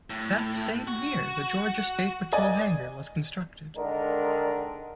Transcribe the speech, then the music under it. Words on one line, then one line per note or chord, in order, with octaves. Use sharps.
That same year, the Georgia State Patrol Hangar was constructed.
A2
F#4
D5 D#5 G#5
D3 D#3 G#3 D4 A#4